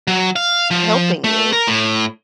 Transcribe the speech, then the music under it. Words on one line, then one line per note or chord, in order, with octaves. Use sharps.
helping you.
F#3
F5
F3
A3
A#4
A2